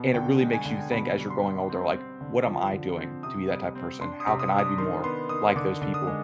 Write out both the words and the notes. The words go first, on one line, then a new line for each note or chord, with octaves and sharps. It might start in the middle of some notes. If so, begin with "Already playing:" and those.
And it really makes you think as you're growing older, like, "What am I doing to be that type of person? How can I be more like those people?"
Already playing: B2
D3 G5
G#3
G#5
D3
B2 B5
G3
C6
G3
C4
C4
D3
F3
D3
C4
C3 D#6
G3
C4
D4 C6
D#6
C3
D#6
D4
D#6
D#3 C6
B3 C6
D#3 D#6
D3 D6
D3
D#6
G#3